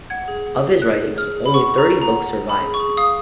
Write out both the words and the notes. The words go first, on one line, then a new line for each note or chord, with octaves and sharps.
Of his writings, only thirty books survive.
F#5 G#6
G#4
F#5
G#4
G#4 F#6
C#5
G#4 F6
G#4
B5
F#5 C#6
G#4
A#5
G#4
A#5
F#5
F#5
G#4
B5
G#4
C#6
G#4
F5 D#6